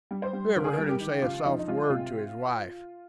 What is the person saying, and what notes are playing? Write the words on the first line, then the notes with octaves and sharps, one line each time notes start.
Who ever heard him say a soft word to his wife?
G3
C5
G3
C#2 A#4
G#4
A#4
G3
G4
D#3
C#2 F4
F3 D#4
D#4
G#3 F4
C3 F4